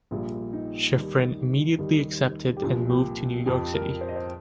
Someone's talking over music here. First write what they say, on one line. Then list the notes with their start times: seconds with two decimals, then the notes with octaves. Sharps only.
Schifrin immediately accepted and moved to New York City.
0.11 A#1 A#2 G3 F4
0.53 D#4
0.94 D#2 D#3 G3
1.79 D#2 D#3 G3
2.57 G4
2.62 C2 A#2 F3 F4
2.90 G4
3.46 F2 F3 G4
3.74 A#4
4.01 C5
4.09 D#5
4.16 C5